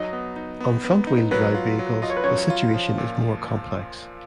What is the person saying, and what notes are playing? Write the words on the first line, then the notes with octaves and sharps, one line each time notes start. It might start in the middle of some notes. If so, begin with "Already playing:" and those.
On front wheel drive vehicles, the situation is more complex.
Already playing: F#3 D#4 D#5
B3
D#4
B3
B3
D#4
F#3 B3 B4
F4
F#3
F4 D#5
C#5
B4
F#3 C#4 C#5
F4
F3
A#2